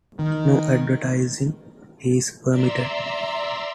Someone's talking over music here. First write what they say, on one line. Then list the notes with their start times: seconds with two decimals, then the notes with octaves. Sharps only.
No advertising is permitted.
0.19 D#3
2.49 D5 E5 A#5 C6 E6